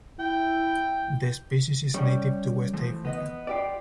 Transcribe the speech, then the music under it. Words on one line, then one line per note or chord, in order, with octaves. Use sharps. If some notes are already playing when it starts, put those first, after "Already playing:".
The species is native to West Africa.
E4 G5
G3 C#4 C#5
E3 F3 A3
B3 D#5
F4 G4 D5